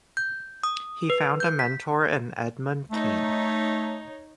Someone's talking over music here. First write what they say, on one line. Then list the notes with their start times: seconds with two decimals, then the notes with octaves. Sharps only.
He found a mentor in Edmund Kean.
0.17 G6
0.63 D#6
1.10 B4
1.40 G6
1.59 B6
2.91 A3 D#4 C#5